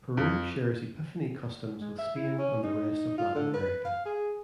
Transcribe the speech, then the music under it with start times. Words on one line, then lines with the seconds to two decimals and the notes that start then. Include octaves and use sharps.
Peru shares Epiphany customs with Spain and the rest of Latin America.
0.17 F2
1.80 G#3
1.98 E5
2.15 E4
2.38 C#4
2.63 D#4
3.18 F4
3.35 D3
3.54 B4
3.85 F5
4.05 G#4